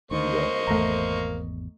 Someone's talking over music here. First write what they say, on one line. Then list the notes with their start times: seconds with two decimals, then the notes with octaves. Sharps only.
Go ahead.
0.11 D2 D#3 A#3 C5 D#5 C#6
0.67 G#1 E2 A3 A#5